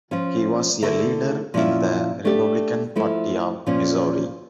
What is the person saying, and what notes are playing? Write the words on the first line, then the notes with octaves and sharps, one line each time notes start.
He was a leader in the Republican Party of Missouri.
F3 C#4 F4
D3 A3 E4 A#4 E5
A#2 F3 C#4 E4
A3 D4 G4 D5
F3 A3 E4
A#2 F3 C#4